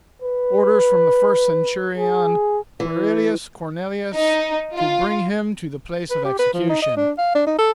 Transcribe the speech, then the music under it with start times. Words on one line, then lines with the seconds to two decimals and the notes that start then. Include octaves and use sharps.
Orders from the first centurion Quirrillis Cornelius to bring him to the place of execution.
0.22 B4
1.97 G#4
2.80 E3
4.16 D#4
4.74 F4
6.10 B4
6.25 G4
6.39 B4
6.54 F3
6.69 D#4
6.82 D#5
6.97 D4
7.18 F5
7.35 D4
7.47 D#4
7.59 A4